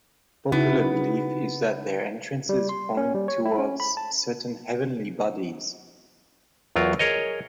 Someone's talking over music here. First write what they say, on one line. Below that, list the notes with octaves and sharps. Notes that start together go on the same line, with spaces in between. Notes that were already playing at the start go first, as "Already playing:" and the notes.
Popular belief is that their entrances point towards certain heavenly bodies.
C#3 B3 D#4 E4 F#4
G3
C6
C#4
G3
C#5
E4
C#4
B5
A5
E2 F#3 F4 A#4
G#4 A#4 C#5 D#5